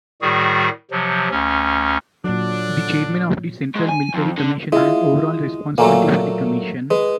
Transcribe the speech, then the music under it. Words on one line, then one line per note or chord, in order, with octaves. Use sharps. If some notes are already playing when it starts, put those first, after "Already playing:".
The Chairman of the Central Military Commission has overall responsibility for the commission.
A2 D#3 G3 F#4 G#4
C3 F3 F#3
D2 C#4
A#2 D3 F#3 D4
G#2
G#5
F2
D3
G#3 E4 F4
A#2 F#3 A3 A#3
G#3 B4